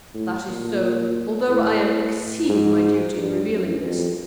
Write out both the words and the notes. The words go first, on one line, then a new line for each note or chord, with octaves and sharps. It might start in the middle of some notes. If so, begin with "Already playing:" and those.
"That is so, although I am exceeding my duty in revealing this."
A2
A#2
A2
G#2
G2
F#2
F2